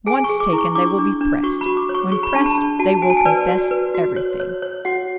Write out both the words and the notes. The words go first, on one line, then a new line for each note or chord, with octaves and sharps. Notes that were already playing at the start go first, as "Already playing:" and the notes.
Once taken, they will be pressed; when pressed, they will confess everything.
G#4 G#5
C#6
G#4
D6
E4
C#6
D4 D6
D4
D4
F#4 C#6
F#4 B5
D6
C#5
C#6
G#4 C#6
B5
D4 A5
B5
D4
F#4 A5
F#4 G#5
A5
G#5
B4 D5
F#4 D5
B4
F#4
C#5
C#5
C#5
F#4 F#5